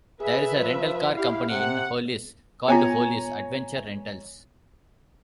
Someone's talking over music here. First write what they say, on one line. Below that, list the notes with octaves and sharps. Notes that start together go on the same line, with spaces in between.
There is a rental car company in Hollis called Hollis Adventure Rentals.
G#4 B4 E5
F3
E4 G4 F5
C3 F#5
B3 F4 C#5 G#5 A#5